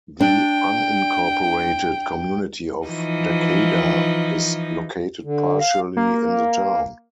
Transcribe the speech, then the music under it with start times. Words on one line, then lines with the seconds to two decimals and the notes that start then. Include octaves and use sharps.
The unincorporated community of Dacada is located partially in the town.
0.21 D4 G5
2.87 E3 F3 D#4
5.24 D3
5.60 F5
5.97 A#3